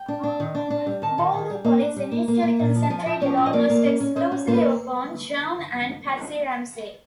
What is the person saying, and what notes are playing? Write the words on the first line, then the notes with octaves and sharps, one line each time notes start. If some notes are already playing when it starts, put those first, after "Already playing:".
Boulder police initially concentrated almost exclusively upon John and Patsy Ramsey.
Already playing: G5
D4
D4
D#3
D4
D4
G3
D#3 A5
D#3
D#3
G3
A#3
D4
G3
A#3
A#3
A#3
A#2
F3
A5
F3 G#5
F3
C#4
F3
D#5
A#3 D5
A#3
C#4
C#4
C#4 C5
C#4
A#3 C5
B4